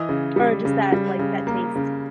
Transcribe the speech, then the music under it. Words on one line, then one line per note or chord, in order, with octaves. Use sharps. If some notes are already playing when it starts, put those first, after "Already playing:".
or just that, like, that taste.
Already playing: E3 D#5 D#6
C#3
G3
C#3
G3
C#3
A#3
C#3